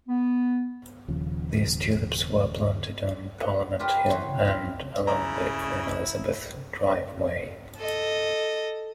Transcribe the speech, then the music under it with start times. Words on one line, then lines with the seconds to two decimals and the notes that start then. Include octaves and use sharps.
These tulips were planted on Parliament Hill and along the Queen Elizabeth Driveway.
0.08 B3
1.08 D#1 D#2 C#3 F3
3.38 F#5
3.79 F4 G4 A#4 B4
4.08 E3 F#3 C4 F#4 B4 C5
4.45 E4 F4
5.07 C#3 E4 A#5
7.77 A4 D#5